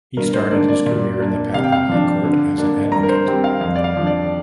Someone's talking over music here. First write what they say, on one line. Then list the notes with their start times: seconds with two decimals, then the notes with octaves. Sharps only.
He started his career in the Patna High Court as an advocate.
0.17 G2 A#4
0.34 C5
0.51 D3 A#3 D4 D5
0.68 D5
0.86 A#2
1.20 A#3 D4
1.54 C3 F5
1.64 G5
1.72 F5
1.89 F3 D4
2.24 D3
2.58 A#3 D4
2.92 G2 A#5
3.03 A#4
3.09 C5
3.27 G3 C4
3.44 F5
3.61 F2 F5
3.76 D5
3.84 F5
3.96 F3 D4
4.07 D5